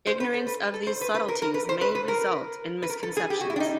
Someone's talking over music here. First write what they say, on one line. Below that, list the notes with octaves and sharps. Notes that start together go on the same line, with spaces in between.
Ignorance of these subtleties may result in misconceptions.
C5
B4
A4
B4
A4
C5
B4
B4
A#4
A#4
B4
C5
B4
B4
A#4
B4
A#4
A4
G#4
G4
F#4
E4
D4
D#4